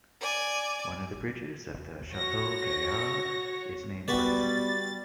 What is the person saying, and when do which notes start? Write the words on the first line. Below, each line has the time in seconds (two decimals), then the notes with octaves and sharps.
One of the bridges of the Chateau-Gaillard is named for him.
0.21 D5 G#5
2.14 F#4 C#5 A#6
4.08 G3 B3 F#4 B4 D5 A6